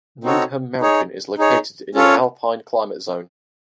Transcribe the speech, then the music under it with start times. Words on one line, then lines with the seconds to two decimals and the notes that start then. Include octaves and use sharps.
Needham Mountain is located in an alpine climate zone.
0.24 C4 D#4 F#4 A4 C#5
0.81 D#4 G#4 C#5
1.38 D#4 G#4 C#5
1.95 C#4 F4 A4 C#5 F5